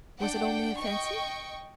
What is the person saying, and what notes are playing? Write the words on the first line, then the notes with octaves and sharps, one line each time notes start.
Was it only a fancy?
D4 F#5 G5
D#5 G5 C#6